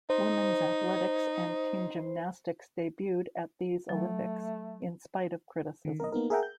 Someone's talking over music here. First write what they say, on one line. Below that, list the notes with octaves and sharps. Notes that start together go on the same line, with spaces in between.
Women's athletics and team gymnastics debuted at these Olympics, in spite of criticism.
D#4 C5
F#3 A3
D#3
A#4 D#5
A#3 B3 D#4 A#4
G#4 A#4 E5 F#5 G5 A#5
G6